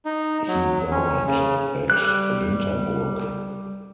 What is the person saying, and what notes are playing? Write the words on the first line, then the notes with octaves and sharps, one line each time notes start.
He died at Winterburg.
D#4
F#3
C#4
C#3
G3 F#6